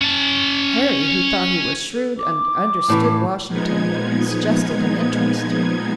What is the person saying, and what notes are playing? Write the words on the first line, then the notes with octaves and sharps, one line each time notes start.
Harry, who thought he was shrewd and understood Washington, suggested an interest.
C#4 A5
A4
D6
A2 E3
A#2 F3 G#3 B3 D#4 G#6